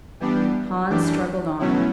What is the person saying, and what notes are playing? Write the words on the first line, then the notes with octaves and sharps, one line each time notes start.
Hans struggled on.
E3 G3 B3 D4 G4
F#2 E3 G3 D4 G4
B2 F#3 A3 C#4 E4